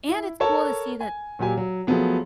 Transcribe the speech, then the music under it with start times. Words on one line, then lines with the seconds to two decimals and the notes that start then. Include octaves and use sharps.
And it's cool to see that
0.09 E4
0.40 A4 A#4 C#5 A5
1.01 G#5
1.39 A#2 F#3 G4 G#5
1.57 F#3
1.87 F3 F#3 A3 B3 G#4